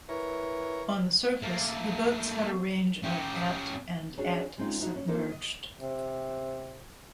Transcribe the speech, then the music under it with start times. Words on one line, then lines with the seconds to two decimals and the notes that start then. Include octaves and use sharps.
On the surface, the boats had a range of at and at submerged.
0.09 E3 A#4 C#5
1.42 A3 A#3
3.04 C#4 G4
4.18 C#4 D4 F#4 G#4 C#5
4.58 G#3 C4 C#4 D#4 F4
4.80 A3 B3 D4 D#4 F#4
4.96 C#4
5.08 A#3 C4 D4 D#4 F4 A4
5.32 D#5
5.81 C3